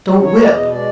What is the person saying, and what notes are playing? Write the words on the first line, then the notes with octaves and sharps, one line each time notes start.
"Don't whip."
F#3
E2 C#5
E2 D5
B2 D#5
G#3 D5